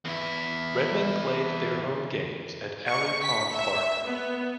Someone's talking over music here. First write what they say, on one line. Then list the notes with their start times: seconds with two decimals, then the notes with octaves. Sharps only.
The Redmen played their home games at Alley Pond Park.
0.05 E2 E4
2.88 C#6
3.23 B6
3.56 E5
4.06 B3